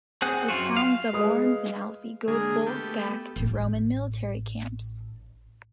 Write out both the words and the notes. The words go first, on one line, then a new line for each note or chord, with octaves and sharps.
The towns of Worms and Alzey go both back to Roman military camps.
C4 G#4 F#5
F#2 F4 F#4
F5
G#3 B4 D#6
D3 G#3 A#3 G#4
A3 B3 G4
A1 D4